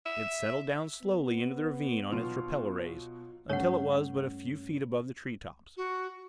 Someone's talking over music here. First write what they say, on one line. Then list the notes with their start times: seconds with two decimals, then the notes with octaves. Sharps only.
It settled down slowly into the ravine on its repeller rays until it was but a few feet above the tree tops.
0.06 E5
1.02 B3
2.12 B2 F#3 F4
3.49 G2 A3 C#4 C#5 F#5
5.77 F#4